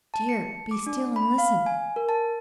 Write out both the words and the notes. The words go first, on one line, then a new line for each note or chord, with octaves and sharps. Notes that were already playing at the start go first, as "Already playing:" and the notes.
"Dear, be still, and listen!"
A5
C#7
D6
D4
B5
F5
G#5
A#4
A5